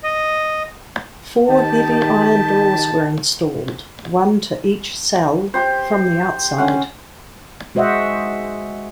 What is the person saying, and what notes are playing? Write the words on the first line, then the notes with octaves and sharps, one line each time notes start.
Four heavy iron doors were installed, one to each cell, from the outside.
D#5
D#3 D#4 G4 A5
G4 C5
C#4 F#5
G#3 F#4 C5 D#5 E5 F#5